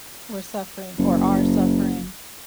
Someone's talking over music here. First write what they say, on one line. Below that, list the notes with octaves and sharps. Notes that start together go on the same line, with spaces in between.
we're suffering or are suffering
F#1